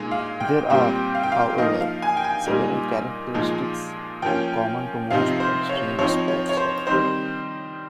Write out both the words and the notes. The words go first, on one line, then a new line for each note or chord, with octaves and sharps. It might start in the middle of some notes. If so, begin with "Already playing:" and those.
There are, however, several characteristics common to most extreme sports.
Already playing: A#2 G#3 D#4
F5
G5
A#2 G3 C4 G5
F5
G5
F5
F3 A#3 D#4 D#5
F5
G#5
G5
G#5
A#2 G3 A#3 D#4
A#2 F3 G#3 D#4
F3 A#3 C#4 G5
C3 F3 C4 D#4 F5
C5
C#5
F3 C4 D#4 C#5
C#5
C#5
C5
D#3 G3 C4 D#4 C5